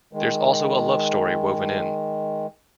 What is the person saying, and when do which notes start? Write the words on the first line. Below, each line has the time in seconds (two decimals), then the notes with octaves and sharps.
There's also a love story woven in.
0.13 D#3 G#3